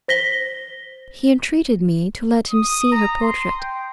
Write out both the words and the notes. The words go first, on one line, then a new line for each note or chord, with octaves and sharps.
He entreated me to let him see her portrait.
C5 A#6 B6 G7
D#6
A#5
C6
G5